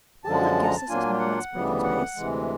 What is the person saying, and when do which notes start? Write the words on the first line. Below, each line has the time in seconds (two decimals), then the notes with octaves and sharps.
Well, it gives us a moment's breathing space....
0.25 F#2 D3 F3 G#3 A5
0.64 A#5
0.77 A5
0.89 A#2 F#3 A#3 D4 F4 G#5
1.19 F#5
1.52 D2 C#3 E3 G3 B3
1.83 F#5
2.15 D2 C3 E3 G#3